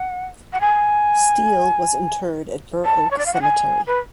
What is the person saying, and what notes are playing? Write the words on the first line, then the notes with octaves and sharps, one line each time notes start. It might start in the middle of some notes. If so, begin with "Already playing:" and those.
Steele was interred at Burr Oak Cemetery.
Already playing: F#5
F#5
G#5
A5
C#5
D5
F5
F#5
G#5
B4